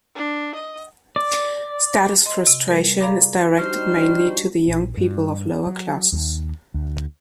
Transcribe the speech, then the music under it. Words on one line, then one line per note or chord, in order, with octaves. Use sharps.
Status frustration is directed mainly to the young people of lower classes.
D4
D#5
D5
D#5 C6
C3
G3 A#4
G#4 D5 F5 A#5 B5 D6
G3 D4 D#4 F#4 C5 F6
A#1
G2
F#3
D#2
D2